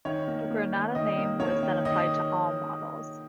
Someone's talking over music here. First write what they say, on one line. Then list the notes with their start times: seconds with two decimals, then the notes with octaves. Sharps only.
The Granada name was then applied to all models.
0.05 D#3 C#5
0.28 A#3
0.50 A#3
0.73 D#3
0.95 D#3 D#5
1.17 A#3
1.40 A#3 C#5
1.63 D#3
1.85 D#3 D#5